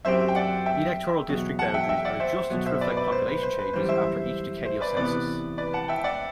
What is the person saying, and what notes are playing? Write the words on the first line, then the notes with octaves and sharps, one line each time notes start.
Electoral district boundaries are adjusted to reflect population changes after each decennial census.
F#2 F#3 C4 G4 C5 E5
G5
D5 F#5
E5 G5
E2 B2 F#3
F#5 A5
E5 G5
E5 G5
D5 F#5
C5 E5
C5
B1 B2 F#3
C5 E5
B4 D5
B4 D5
C5
B4
C5
B4
F#2 E3 G3 C5
C5 E5
C5
B4 D5
C3 E3 B3 B4 D5
B4 D5
F#5 A5
E5 G5
D5 F#5